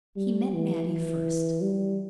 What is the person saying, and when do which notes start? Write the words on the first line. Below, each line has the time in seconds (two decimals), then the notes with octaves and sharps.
He met Mattie first.
0.16 G3
0.53 E3
0.89 E3
1.61 G3